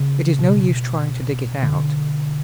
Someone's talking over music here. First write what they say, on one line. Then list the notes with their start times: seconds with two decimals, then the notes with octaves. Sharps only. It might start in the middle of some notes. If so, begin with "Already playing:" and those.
It is no use trying to dig it out.
Already playing: C#3
0.39 B2
1.63 D3